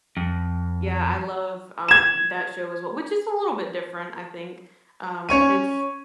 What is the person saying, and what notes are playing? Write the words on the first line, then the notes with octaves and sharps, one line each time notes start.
Yeah, I love, um, that show as we which is a little bit different, I think. Um, it's
F2
G#6 E7
C#4 C#5 C#6 D#7